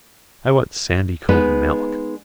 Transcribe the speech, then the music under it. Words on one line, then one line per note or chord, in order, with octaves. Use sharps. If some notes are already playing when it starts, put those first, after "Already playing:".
I want Sandycove milk.
G#3 B3 D#4 B4